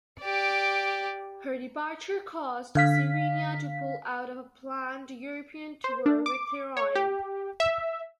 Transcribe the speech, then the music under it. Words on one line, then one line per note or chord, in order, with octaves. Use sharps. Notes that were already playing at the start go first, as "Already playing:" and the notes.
Her departure caused "Sirenia" to pull out of a planned European tour with "Therion".
G4 D5
D3 F5 B6
C5
D4
D6
C#5
G4
E5